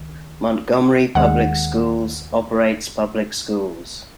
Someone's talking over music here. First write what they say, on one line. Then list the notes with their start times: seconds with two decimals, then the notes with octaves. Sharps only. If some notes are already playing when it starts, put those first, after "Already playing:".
Montgomery Public Schools operates public schools.
Already playing: C#2 D#3
1.15 D#2 D#3 G#3 F#5